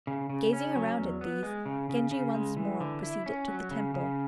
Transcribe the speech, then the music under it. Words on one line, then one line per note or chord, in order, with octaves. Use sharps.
Gazing around at these Genji once more proceeded to the temple.
C#3
C#3
C#4
F#3
E2
B3
G#3
C#3
C#3
C#3
G#3
E3
D3
E4
C#4
F#3
C#3
C#3